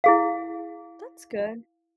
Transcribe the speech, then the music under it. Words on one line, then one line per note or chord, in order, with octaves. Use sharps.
That's good.
E4 G#4 F5